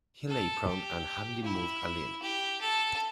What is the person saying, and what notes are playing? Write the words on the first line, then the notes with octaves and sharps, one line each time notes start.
He lay prone and hardly moved a limb.
A4
G4
E4
G4
A4